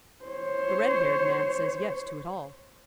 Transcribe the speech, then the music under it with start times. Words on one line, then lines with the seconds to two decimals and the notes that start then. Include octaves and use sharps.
The red-haired man says yes to it all.
0.25 C5 C#5